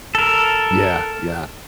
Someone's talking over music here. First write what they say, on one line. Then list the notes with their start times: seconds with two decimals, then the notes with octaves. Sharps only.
Yeah, yeah.
0.15 A4 A#4